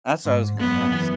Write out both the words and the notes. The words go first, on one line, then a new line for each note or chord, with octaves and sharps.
That's what I was gonna ask.
G#2
F#2 B3
E3